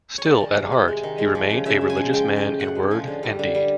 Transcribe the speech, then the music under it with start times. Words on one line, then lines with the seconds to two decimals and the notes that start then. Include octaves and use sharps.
Still, at heart, he remained a religious man in word and deed.
0.18 C#5
0.24 G#3 D5
0.40 D#3
0.56 C3
0.72 C3
0.88 G#3
1.03 D#3
1.18 G#3
1.35 F3
1.50 C#3
1.65 C#3 E5
1.81 G#3
1.90 G#5
1.97 F3
2.13 G#3 G5
2.28 F3
2.36 G5
2.44 A2
2.60 A2 F#5
2.75 G#3
2.91 F3
3.07 D3
3.23 G3
3.39 D3
3.55 G3